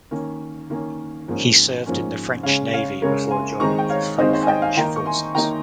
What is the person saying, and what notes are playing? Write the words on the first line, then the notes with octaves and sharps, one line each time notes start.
He served in the French Navy before joining the Free French Forces.
D#3 A#3 C#4
D#3 A#3 C#4
G#2 F3 A#3 C#4
G#2 F3 A#3 C#4
C#3 G#3 C#4 C#5 F5
C#5 F5
C#3 G#3 C#4 A#4 C#5
G#5 C6
D#3 G#3 C4 D#4 A#5 C#6
G5
C#5 F5
D#3 G#3 C4 D#4 C5 D#5
C5
G#5
D#5 G5
F5 G#5
D#3 A#3 D#4 G5 A#5
C#6
G#5 C6
D#3 A#3 D#4 G5 A#5